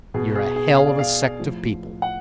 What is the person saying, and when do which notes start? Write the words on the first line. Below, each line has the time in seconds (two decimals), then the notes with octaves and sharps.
You're a hell of a sect of people.
0.14 B2 G#4
0.35 G#4
0.56 G#4
0.77 F5
0.87 D5
0.99 F5
1.39 A2 F3
2.02 F#5